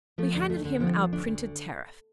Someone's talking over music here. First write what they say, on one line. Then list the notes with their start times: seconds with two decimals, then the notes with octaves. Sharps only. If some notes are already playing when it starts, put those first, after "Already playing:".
We handed him our printed tariff.
0.18 F3 A3
0.34 D2
0.49 D2 A3
0.65 D3
0.80 F3 C4
0.97 D2
1.13 D2 D4
1.28 D3